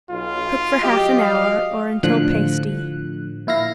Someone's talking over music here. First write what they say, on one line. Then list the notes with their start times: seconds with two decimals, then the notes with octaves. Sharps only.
Cook for half an hour or until pasty.
0.11 B1 F4
0.83 F#3 G#3 G4 D#5
1.19 F5
2.03 A2 D3 F3 F#6
3.47 A#2 E4 F5 A#6